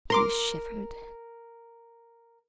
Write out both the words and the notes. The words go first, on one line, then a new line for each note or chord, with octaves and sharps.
He shivered.
A#4 A#5 C6 D6